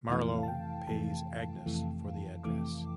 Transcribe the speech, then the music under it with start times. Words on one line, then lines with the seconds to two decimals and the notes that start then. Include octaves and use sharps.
Marlowe pays Agnes for the address.
0.09 F2 C3 E3 A3 F5
0.43 A5
0.48 G5
0.87 F2 C3 E3 A3 A5
1.66 F2 C3 E3 A3
2.44 F2 C3 E3 A3 D6